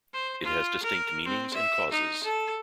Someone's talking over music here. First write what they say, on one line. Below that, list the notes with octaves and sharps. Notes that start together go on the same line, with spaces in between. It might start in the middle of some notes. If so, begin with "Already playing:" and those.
It has distinct meanings and causes.
C5
F4
A#4
C4
E5
D#4
A4